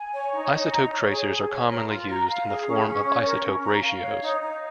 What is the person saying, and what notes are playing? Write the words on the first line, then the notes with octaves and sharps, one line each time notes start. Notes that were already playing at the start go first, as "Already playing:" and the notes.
Isotope tracers are commonly used in the form of isotope ratios.
Already playing: G#5
C#5
D#4
D#4
A#5
C#5
G#4
G#4
C#5
A#4
F4
A#5
F5
G#4
C#4
C#4
C#5
A#4
C#4
A#5
F5
C#5
D#4
D#4